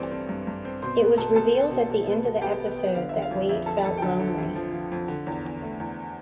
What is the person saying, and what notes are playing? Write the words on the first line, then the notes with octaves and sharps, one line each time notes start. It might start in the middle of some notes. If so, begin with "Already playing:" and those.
It was revealed at the end of the episode that Wade felt lonely.
Already playing: G2 E3 A3 C4 A4 D5
C4
G2
G2
C4
B2 C5 C6
B3
B2 A4 A5
B2 A4 A5
B3
B2
B2
B3
B2
B3 G4 G5
B3
B3
D3 F5
D3 E5
F5
F2
F2 E5
F2 A4 A5
F2 A4 A5
G5
D3 A4 A5
D3
F2
F3
F3
F2
D3
E2
E2
A3
E2